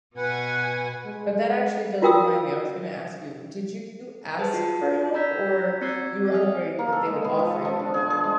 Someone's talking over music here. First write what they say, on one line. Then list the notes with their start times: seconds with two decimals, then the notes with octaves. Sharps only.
But that actually does remind me, I was gonna ask you. Did you ask for help or you were hoping that they would offer you the help?
0.16 B2 B4 F#5 G#5
1.06 G#3
2.02 F4 F#4 A#4 G5 D#6 E6
4.39 G#4 B4 C5 A5
4.54 F4 F#4
5.14 A#5 B5 E6 G6 G#6 B6
5.81 C4 F#4 D5 E6 G#6 C7
6.31 E5 G#5 D#6 F6
6.79 A#3
6.92 A4
7.06 G#3
7.24 B3
7.39 F3
7.51 A4
7.65 F3
7.79 D4
7.94 G#4
8.10 G#4
8.24 G#3